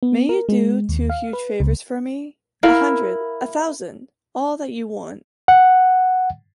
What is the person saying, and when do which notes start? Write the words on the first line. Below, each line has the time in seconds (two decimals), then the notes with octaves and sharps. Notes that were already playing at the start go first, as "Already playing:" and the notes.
May you do two huge favors for me? A hundred, a thousand, all that you want.
0.03 B3
0.29 A#4
0.49 G#3
0.89 D#2
1.10 F5
1.33 B4
1.60 C#2
2.63 E4 A#4 F5 B5
5.48 F#5